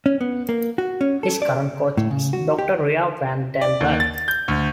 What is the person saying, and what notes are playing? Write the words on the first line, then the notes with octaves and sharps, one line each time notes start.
His current coach is Doctor Ria van den Berg.
C#4
B3
A#3
F#4
C#4
A4
D5
A2
C#3
F#4
G4
D5
D#2
A6
G6
D2